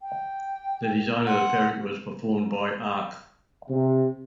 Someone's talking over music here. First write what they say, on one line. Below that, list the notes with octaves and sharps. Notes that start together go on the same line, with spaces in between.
The design of the fabric was performed by Arq.
G5
F#5 C6
C3